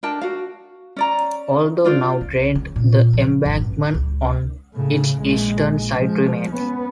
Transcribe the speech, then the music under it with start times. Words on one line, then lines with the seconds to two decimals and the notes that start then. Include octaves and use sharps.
Although now drained, the embankment on its eastern side remains.
0.03 D4 A#4 G5 A5
0.21 F#4 F5
0.96 C#4 D5 A#5
1.84 D4 F4 C5 D5
2.21 C2
2.55 C#3
2.76 A#2
3.13 F3
3.46 G1
3.61 A1
3.94 C#2
4.74 A2 C#3
5.20 A#1 G#3
5.96 F3 G#3
6.50 B3 C#4